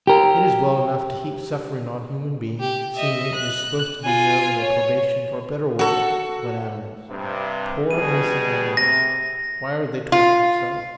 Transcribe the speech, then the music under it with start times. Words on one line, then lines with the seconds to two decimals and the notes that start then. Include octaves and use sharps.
It is well enough to heap suffering on human beings, seeing it is supposed to be merely a probation for a better world, but animals--poor, innocent animals--why are they tortured so?
0.07 G4 A#4
2.59 G4
2.95 D#5 E5
3.34 F#6
4.04 F4 G#5
4.60 C#5
5.79 F#4 A4
7.08 G2 C3
7.91 B2 G3 G#4 D#7
8.77 C3 A#6
10.12 F4